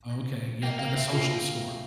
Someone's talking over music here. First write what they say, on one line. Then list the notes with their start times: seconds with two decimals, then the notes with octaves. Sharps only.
Okay, yup, like, a social score.
0.63 A#3 G5
0.79 A#3 F5
0.96 C4 E5
1.12 A#3 F4